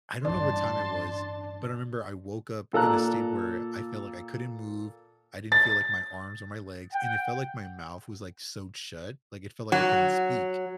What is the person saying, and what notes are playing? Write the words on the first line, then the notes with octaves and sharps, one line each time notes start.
I don't know what time it was, but I remember I woke up in a state where I felt like I couldn't move. I didn't feel like my arms or my legs, and it felt like my mouth was, like, sewed shut, like, it felt like I couldn't speak.
A1 G2 D4 A5 C6
A#2 A4 A#5 F#6
A6
F#5 G5
F#3